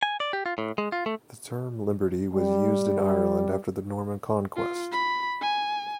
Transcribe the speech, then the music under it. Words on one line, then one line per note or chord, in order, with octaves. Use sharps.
The term "liberty" was used in Ireland after the Norman conquest.
G#5
D5
G4
F4
A2
G#3
F4
A3
G3
F4
B5
G#5